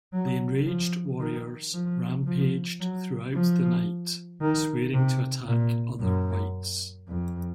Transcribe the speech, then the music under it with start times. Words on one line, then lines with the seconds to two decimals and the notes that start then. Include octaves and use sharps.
The enraged warriors rampaged throughout the night, swearing to attack other whites.
0.13 F#3
0.67 F3
1.19 D#3
1.73 F3
2.26 F3
2.81 F#3
3.34 F3
4.41 D#3
4.94 C3
5.47 A#2
6.01 F#2
7.08 F2